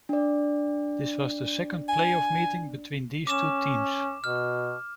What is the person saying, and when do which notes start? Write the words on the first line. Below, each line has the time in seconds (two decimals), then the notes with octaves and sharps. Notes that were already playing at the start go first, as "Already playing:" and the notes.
This was the second playoff meeting between these two teams.
0.09 D4 D5
1.89 G#5
3.27 C#4 D6 E7
4.24 B2 F6